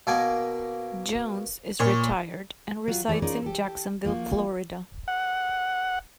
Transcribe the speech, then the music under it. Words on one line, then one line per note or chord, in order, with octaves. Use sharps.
Jones is retired and resides in Jacksonville, Florida.
B2 A#3 G#5
A#2 C#5
F#3 F4 F#4
E3 A3 G#4 D5
C#4 D#4 F4 A#4 D5
G4 A4
F3 A#3 F4 F#4
F#5